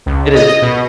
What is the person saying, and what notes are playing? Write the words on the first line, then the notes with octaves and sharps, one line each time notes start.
It is.
C#2
D#5
B2